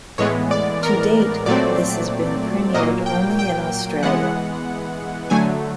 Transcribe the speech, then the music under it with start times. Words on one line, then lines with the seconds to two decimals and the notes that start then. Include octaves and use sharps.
To date, this has been premiered only in Australia.
0.18 A2 E3 G#3 B3 C#5
0.51 D5
0.83 A#4
1.46 A#2 F#3 A3 C4 D5
2.74 A#2 F#3 A#3 D#5
3.06 G5
3.39 G5
4.03 E3 G#3 B3 F#5
5.30 D3 F#3 A3 G#5